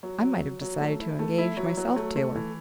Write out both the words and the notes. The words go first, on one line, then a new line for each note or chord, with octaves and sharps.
I might have decided to engage myself to her.
F#3
F#3
F#3
F#3
A3
E4
A3
E4
F#3
F#3
A3
A3
E3